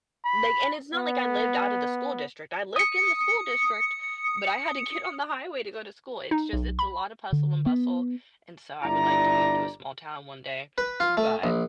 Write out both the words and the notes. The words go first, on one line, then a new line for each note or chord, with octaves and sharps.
Like and it's not like I lived outta the school district. I lived in the school district, but I had to get on the highway to go to school. It's just it's a lot of hustle and bustle, and so I would like to move to a small town one day, but
B5
B3
D#6 C#7
D#4
B1
B5
D3
B3
G1 D4 E4 D5 A#5
B4
F4
A3
A#1